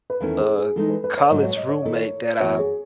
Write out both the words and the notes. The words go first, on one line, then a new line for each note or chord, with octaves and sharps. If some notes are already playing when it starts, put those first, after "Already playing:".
a college roommate that I
B4
E2 D#3 A3 C#4 E4 A4
G#4
G#4
E3 G#3 D#4 A4
B4
B4
C#5
G#2 F#3 A3 D#5
C#5
D#5
C#5
D#3 A3 E4 A4 D#5
C#5
F#2 E3 B3 F#4 C#5
G#4